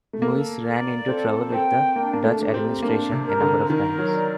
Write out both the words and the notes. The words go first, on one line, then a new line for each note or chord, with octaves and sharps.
Muis ran into trouble with the Dutch administration a number of times.
A3
A#3 A4
D5
C4 A4
C4 G5
A#3 D4
A#3
A3
G4
C4
A#3 D4
C3
A#4
D3
D#3 A#4
F#3
D5